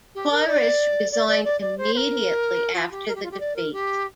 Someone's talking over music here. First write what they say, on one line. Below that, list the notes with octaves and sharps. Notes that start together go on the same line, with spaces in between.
Corish resigned immediately after the defeat.
G4
A#4
D5
D5
D5
D5
D5
C5
C5
A#4
F4
G4
A#4
G4
F4
G4
D5
A#4
G4